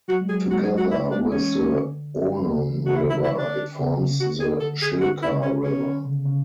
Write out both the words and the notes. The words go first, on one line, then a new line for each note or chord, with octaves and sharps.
Together with the Onon River, it forms the Shilka River.
F#3 F#4
G#3
F#3 G#4
G#3 F#4
G#4
F#4
A3 E4
G#3 D4
E3 C#4
D3
C#3
E3
C#3 F#4
D3 E4
E4
E4
D4
C#3
C#3
D3 F#4
G#4
D3 A4
G#4
F#4
E4
C#4
C#4
D3
C#3
C#3